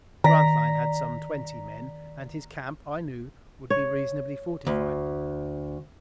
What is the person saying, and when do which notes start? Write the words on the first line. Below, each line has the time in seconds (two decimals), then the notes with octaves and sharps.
Grantline had some twenty men, and his camp, I knew, would be reasonably fortified.
0.24 D#3 D5 A#5 B6
3.70 C#5
4.67 D2